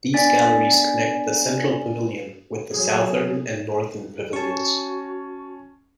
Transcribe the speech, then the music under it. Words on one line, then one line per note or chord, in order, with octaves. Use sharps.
These galleries connect the central pavilion with the southern and northern pavilions.
B3 D4 D5 G#5 A6 B6
F#3 G#4
C#4 F#4 A5 C#6